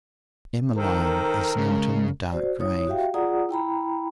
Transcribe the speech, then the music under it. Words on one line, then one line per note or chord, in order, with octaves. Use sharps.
"Emmeline is not in the dark grave."
D#3 A4 A#4 C5
C#3 G#3
F#4 C5 D5
E4 C#5 D#6
F#4 G4 E5 F5 G5
F4 G#4 D5 F#5 A#5 D#6
E4 G5 A#5 B5